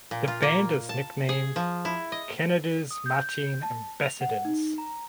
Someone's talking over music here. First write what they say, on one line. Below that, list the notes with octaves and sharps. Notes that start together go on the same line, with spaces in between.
The band is nicknamed "Canada’s Marching Ambassadors".
A#2
F4
A#3
A5
G#4
F3
E4
D#5
D#6
G6
G6
A5
F7
F#5
D#4
A#5